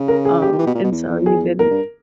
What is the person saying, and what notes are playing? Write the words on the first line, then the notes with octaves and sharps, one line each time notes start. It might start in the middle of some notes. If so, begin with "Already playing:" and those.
Um, and, so, even
Already playing: C#3
A#4
G#4
G4
D#3
E3
B2
A#2
B2
E2
G#4
E2 A#4
G2